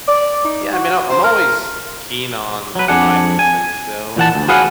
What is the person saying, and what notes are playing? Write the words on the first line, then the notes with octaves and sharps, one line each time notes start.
yeah, I mean, I'm always keen on trying new things though, um,
D5
D#4
F#4
C5
A#4
F#3 B4
F2 D4 G#4 F#5
G#5
A#2 E3 F#5 A5
D2
F#4 G#4 B4 C#5 F5 F#5